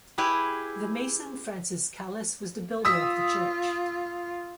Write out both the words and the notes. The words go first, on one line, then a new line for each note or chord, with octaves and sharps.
The mason Francis Callus was the builder of the church.
E4 G4 G#4 B4
F4 D#6 E6 B6